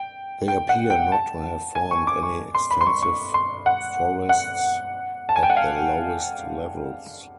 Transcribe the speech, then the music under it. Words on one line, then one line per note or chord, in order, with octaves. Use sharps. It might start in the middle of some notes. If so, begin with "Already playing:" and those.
They appear not to have formed any extensive forests at the lowest levels.
Already playing: G5
G5
F#5
G5
A5
G#5
C#6
D6
C#6
C6
B5
C6
C#6
C#6
C6
F#5
F#5
A5
G#5
G5
F#5
F5